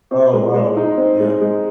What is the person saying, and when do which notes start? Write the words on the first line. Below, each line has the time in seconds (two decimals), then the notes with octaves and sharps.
Oh, wow, yeah.
0.11 C4
0.33 G#3
0.54 G#3
0.77 D#4
0.97 C4
1.20 G#3
1.41 G#3